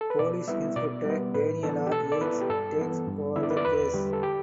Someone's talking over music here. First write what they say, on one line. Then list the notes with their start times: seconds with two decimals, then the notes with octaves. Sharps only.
Police inspector Daniela Yanes takes over the case.
0.01 A4
0.10 B4
0.19 B2 D5
0.48 G3 B3 E4 E5
0.76 B2 D5
1.05 G3 B3
1.34 A2 B4
1.63 E3 B3 D4 A4
1.86 G4
1.92 B2 A4
2.12 D5
2.21 B3 E4 B4
2.41 G4
2.49 G2 A4
2.78 E3 B3
3.08 G2
3.36 D3 B3 E4 E5
3.43 D5
3.51 B4
3.57 D5
3.65 E2 B4
3.94 D3 G3 G4
4.13 A4
4.23 G4